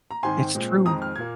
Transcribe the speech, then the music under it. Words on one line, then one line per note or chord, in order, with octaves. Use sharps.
It's true.
A#5
G#2 D#3 C4 G#5 C6
A#2 G#3 C4
F2 D#3 G#3 C4 A#5 D#6
F6
A#2 A#3 G#6